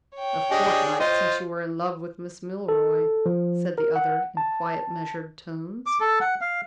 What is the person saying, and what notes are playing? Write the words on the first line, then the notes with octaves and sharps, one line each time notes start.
"A fortnight since you were in love with Miss Milroy," said the other, in quiet, measured tones.
C#5 G5
D4 G4 G#4 D#5
F4 C5 D#5
A4
F3
A#4
F#5
A5
D6
A4
F#5
F5